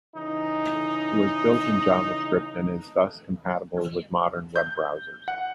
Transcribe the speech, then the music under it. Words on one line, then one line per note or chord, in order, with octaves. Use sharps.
It was built in JavaScript and is thus compatible with modern web-browsers.
C#3 E3 D#4
G6
F#5